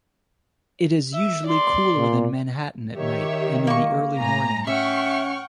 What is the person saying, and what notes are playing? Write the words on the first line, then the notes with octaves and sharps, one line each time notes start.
It is usually cooler than Manhattan at night and in the early morning.
E5
D5 C6
A#2
D#3 G4 C#5 E5
A#3 C#6
A2 G#5 A#5
C#4 E5 F#5 G5 C#6 F6